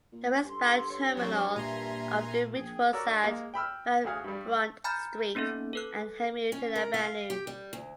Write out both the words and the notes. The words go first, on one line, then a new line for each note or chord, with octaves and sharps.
The westbound terminal of the route was at Van Brunt Street and Hamilton Avenue.
A#2
G2 A4 C6
C#5
F#3 C4 C#6
A#2 F4 E5 G#5 A#5 C6
A#1 G#4 G5
F#4 A#4 C#5 D5 E6
D4
G#3 A#3
G5 B5 E6 F6
D2 F#4 G#4 F5 D#6
G2 G3
G#5 A#5 B5 F6 G6 A6
A#3 B3 C#4 D#4 A4
A4 B4 F#6
C#4
A#4
F5
G4
G3
D2